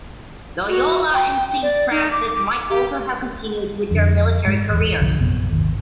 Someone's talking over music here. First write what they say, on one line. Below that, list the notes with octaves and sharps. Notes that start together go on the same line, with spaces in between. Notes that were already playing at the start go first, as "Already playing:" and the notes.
Loyola and Saint Francis might also have continued with their military careers.
F#4
G5
D5
D#4
D6
D6
G4
F2 D3
G#2 G#3
A1 E2
G1 C2 D3 F3
A#1 F#2 C3 B3
G#1 D#2